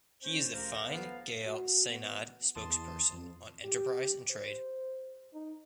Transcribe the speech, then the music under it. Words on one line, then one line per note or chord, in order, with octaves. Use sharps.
He is the Fine Gael Seanad Spokesperson on Enterprise and Trade.
C#4 C5
D2 F3 F4 G4 A#4
B3 A4 F5
F#4
B3
E2 A5 C6 D#6
F2
G4
C5
D#4